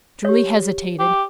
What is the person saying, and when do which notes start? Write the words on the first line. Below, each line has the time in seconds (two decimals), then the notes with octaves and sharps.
Julie hesitated.
0.25 G4 C#5
0.99 G4